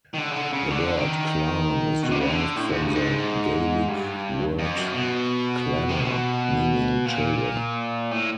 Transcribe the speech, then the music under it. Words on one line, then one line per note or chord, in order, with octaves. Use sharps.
The word "clan" is derived from the Gaelic word "clanna", meaning "children".
D#3
D3
C#3
D3
C#3
D3
D#3
B2
C3
C#3
D3
A2
G#2
G2
G#2
G2
F2
F#2
B2
C3
B2
A#2
A2